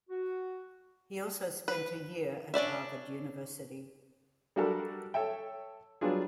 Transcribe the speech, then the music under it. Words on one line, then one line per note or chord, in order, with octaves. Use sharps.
He also spent a year at Harvard University.
F#4
B4
C#4 D4 D5 E5
G3 D4 F#4 G4 A4 A#4
A4 C#5 E5 G5
F#3 G3 B3 D4 F4 G#4